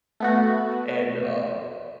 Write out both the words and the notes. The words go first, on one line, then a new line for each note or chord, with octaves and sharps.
And, um,
A3 B3 F#4